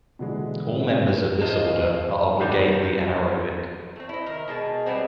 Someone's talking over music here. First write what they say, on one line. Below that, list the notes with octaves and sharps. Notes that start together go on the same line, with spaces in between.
All members of this order are obligately anaerobic.
B2 D3 E3 G#3 B3
F4 C5 D#5 F5 A5
D#3 G3 F#4
A3 C4
E4 D#5
D#3 A#4
B2 G#3 A4 A5
G3 G#3 B3 C4